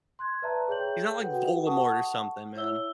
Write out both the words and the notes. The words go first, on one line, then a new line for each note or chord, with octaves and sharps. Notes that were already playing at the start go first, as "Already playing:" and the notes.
he's not, like, Voldemort or something, man.
C6 F#6 G#6
B4 D5 E5 A5 A#5
G#4 C#5 G5 G6 F#7
F#4 A4 B4 F#5 G5
F#5 A5 C#6 D#6
E4 C#5 E5 E6 G7